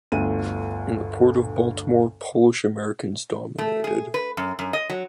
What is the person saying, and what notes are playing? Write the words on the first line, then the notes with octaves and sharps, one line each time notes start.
In the Port of Baltimore, Polish Americans dominated.
G1 D2 D#7
A3
G#4
B4
F#2
F#2
D#5
F#3